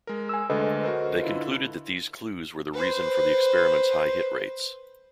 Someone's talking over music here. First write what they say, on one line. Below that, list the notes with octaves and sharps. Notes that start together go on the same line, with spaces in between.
They concluded that these clues were the reason for the experiment's high hit rates.
G#3 A#4
G#5 E6
D2 D3 G#3 A4 B4 D#5
F#4 A#4 C5
D3 E4 F4
B4 C5